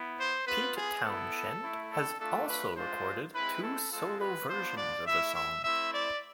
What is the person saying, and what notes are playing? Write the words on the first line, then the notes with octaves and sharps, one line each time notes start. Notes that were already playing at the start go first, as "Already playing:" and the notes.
Pete Townshend has also recorded two solo versions of the song.
Already playing: B3 E4
C5
B3 F4 B4
G#4
B3 E4 A4
A3 E4
A4
A3 D4 F4 A4
B4
G#3 D4 F4 C5
G#3 C4 E4 B4
A4
G#3 C4 F4 A4
B4
B3 D4 F4 C5
D5
A3 E4 E5
E5
A3 C4 E4 E5
D5